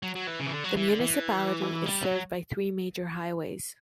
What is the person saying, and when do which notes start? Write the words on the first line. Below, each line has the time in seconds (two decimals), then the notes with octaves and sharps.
The municipality is served by three major highways.
0.03 F#3
0.15 F#3
0.27 E3
0.39 C#3
0.46 E3
0.52 D3
0.64 F#3
0.76 E3
0.89 D3
1.01 E3
1.86 G3
2.04 F#3